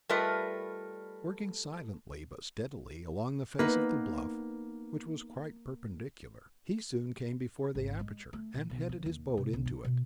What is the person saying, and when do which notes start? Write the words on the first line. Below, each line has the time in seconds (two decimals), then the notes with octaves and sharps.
Working silently but steadily along the face of the bluff, which was quite perpendicular, he soon came before the aperture, and headed his boat into it.
0.09 G3 A3 F4 A#4 B4 D#5
3.59 A#3 B3 D#4 B4
7.75 G#1
7.99 G#3
8.33 A3
8.54 A#2
8.70 B1
8.89 F3
9.06 D#2
9.37 C3
9.53 B1
9.66 D4
9.84 B2